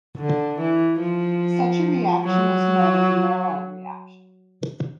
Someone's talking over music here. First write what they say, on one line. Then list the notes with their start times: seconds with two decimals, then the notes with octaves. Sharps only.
Such a reaction is known as Maillard reaction.
0.18 D3
0.59 E3
1.01 F3
2.25 F#3